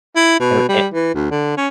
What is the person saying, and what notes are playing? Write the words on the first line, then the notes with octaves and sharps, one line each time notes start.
Er, it
E4
B2
G3
E3
D2
D3
C#4